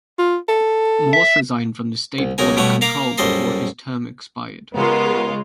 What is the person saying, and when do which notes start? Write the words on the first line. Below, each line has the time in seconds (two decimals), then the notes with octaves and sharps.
Morse resigned from the State Board of Control before his term expired.
0.19 F4
0.48 A4
1.13 E5
2.18 C2
2.38 C#2 F#3 D#4 A#4 G#5
2.57 G2 B2 G3 A3 C#5 F#5
2.81 A#3 F5 A#5 D6
3.18 A#1 F#2 G3 A4 D#5 C6
4.74 C#3 G#3 B3 F4 G4 A#4